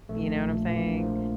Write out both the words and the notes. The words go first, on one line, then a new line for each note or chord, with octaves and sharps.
You know what I'm saying?
A#1 A3
A#2
A#1 A#3
F3